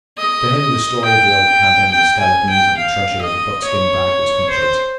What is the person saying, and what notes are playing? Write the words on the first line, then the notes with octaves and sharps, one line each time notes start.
To him the story of the old cabin, the skeletons and the treasure of the buckskin bag was complete.
D#5
G5
G5
G#5
G5
F5
D#5
C#5
C5